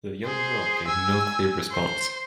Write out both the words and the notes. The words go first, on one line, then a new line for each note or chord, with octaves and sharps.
The young girl gave no clear response.
G#4 C5
G#5 E6
C5